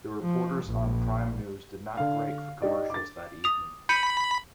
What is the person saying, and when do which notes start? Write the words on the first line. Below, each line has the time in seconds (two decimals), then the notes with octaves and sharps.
The reporters on "Prime News" did not break for commercials that evening.
0.22 F3
0.66 A#1
1.97 D3 F5
2.62 D#4 G4 D5
2.90 D6 A6
3.44 D#6 F7
3.89 B5 G6 C#7 D#7